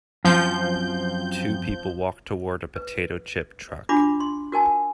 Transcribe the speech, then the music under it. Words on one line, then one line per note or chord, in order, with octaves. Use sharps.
Two people walk toward a potato chip truck.
F#2 F3 C4 G6
B4
D4 F4 F#4 B5 D6
C6
F#4 A#4 G#5 A5